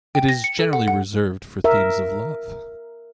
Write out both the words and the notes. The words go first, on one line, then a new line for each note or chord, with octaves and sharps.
It is generally reserved for themes of love.
G5
A#6
C#7
A4
F#5
F#5
A#4 E5